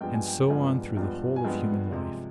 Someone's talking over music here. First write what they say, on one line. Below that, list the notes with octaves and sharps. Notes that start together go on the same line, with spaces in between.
And so on through the whole of human life.
G2 F3 G#3 B3 G5
G#5
G5
G2 F3 G#3 B3 G#5
G2 F3 G#3 B3
G#5
G2 F3 G#3 B3 G5
C3 F3 G#3